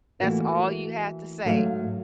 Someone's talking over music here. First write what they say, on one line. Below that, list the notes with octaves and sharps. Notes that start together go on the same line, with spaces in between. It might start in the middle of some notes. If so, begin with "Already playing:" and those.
That's all you have to say.
E3 A3 A#3 F#4
G#2 F#3 A3 F#4 C5 F5